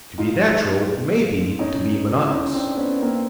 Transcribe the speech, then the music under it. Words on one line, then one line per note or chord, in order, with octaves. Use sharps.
To be natural may be to be monotonous.
D#4 F4
C#4 D#4
E4
C#4 D#4
C4 D4
B3 C#4
A#3 C4